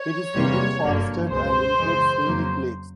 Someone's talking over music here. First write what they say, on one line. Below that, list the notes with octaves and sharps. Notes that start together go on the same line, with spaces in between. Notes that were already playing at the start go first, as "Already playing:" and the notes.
It is heavily forested and includes scenic lakes.
Already playing: C#5
E2 C3 E3 G3 A#3
G1 F#2 D3 F#3 A#3
C#2 B2 G#3 C5
F#2 C#3 E3 G#3
F2 C#3 F#3 A#3